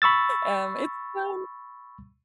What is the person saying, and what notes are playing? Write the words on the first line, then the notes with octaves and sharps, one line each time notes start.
Um, it's, um,
B5 C#6 E6 A6